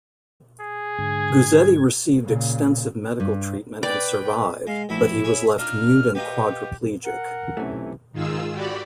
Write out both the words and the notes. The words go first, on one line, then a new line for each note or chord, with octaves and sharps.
Guzzetti received extensive medical treatment and survived, but he was left mute and quadriplegic.
G#4
G#2 D3 G#6
A#2 C#3
G2
B4 D5 G5
G#3 F5
A#1 A3 E4 B5
G#4 C#5 B5
D4 D#4 F4 F6
B3 D#4 F4 G4
A#4 F#5
B1 C3 E3 A3 C#4
G#2 D#3 F4 G#4 E6
F#4 G4 D5 B5